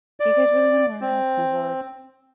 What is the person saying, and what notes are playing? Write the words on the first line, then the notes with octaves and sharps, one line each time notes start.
do you guys really wanna learn how to snowboard?"
D5
C4